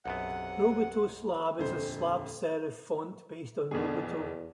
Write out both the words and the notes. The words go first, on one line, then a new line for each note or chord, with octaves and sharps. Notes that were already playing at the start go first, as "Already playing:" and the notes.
Roboto Slab is a slab serif font based on Roboto.
B1 F#2 C3 B3 F#5
D#1 F2 D3 C5
F2 B2 D3 G#4
E2